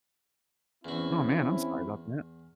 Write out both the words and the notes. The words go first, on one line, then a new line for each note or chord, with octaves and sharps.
Aw, man, I'm sorry 'bout that.
E2 C4 C#4 E4 F#4